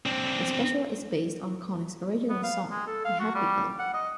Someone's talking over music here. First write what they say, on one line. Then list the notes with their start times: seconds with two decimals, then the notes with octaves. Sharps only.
The special is based on Connick's original song, "The Happy Elf".
0.06 C4 D4
2.30 B3
2.43 F5
2.71 G#3
2.87 A4
3.05 F5
3.20 F#4
3.35 G3
3.79 F#5
3.94 D#5